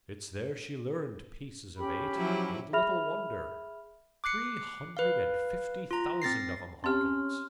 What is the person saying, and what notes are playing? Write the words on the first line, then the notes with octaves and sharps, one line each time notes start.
It's there she learned 'Pieces of eight,' and little wonder; three hundred and fifty thousand of 'em, Hawkins!
C#4 G4 B5
F3 F#3 E4
G#4 E5 B5 F6 F7
D6 F#6 C7 C#7
B4 F5
F4 A#5
C4 A6 A#6 C7
C4 C#4 G4 C6 F6